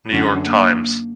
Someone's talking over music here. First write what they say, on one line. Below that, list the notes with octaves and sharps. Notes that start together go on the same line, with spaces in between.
New York Times.
F#2 D3 C#4
A#3